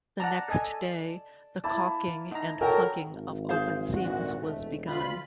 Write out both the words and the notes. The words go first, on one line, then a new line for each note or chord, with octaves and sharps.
The next day the caulking and plugging of open seams was begun.
D5 F#5 A5 A#5
A4 D#5 G#5
A#3 E4 A5 D6
D#4 A#5
F#3 A4 A#4 G5 A5
G#1
G#4 C5 F5
D2 A#2 F#4
E1 A3
D2 F4 B5